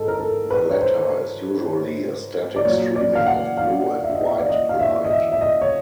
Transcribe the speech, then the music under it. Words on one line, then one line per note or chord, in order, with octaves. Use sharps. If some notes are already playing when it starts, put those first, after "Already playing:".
The latter is usually a static streaming of blue and white light.
Already playing: G#2 G#4 A4
A#4
A4
B4
C#5
C5
D5
A#2 F#3 C#5
D5
F5
F#5
F5
E5
D#5
E5
D5
D#5
F5
E5
D#5
E5
E5
D#5
C#5